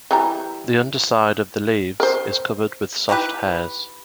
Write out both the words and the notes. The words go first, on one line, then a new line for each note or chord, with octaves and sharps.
The underside of the leaves is covered with soft hairs.
E3 G3 A#5
A#4 C5
D#4 E4 G4 B4